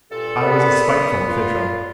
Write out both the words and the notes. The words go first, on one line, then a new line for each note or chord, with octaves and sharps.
I was a spiteful official.
G2 A#2 A4
B3 A#4 D5 B5
F4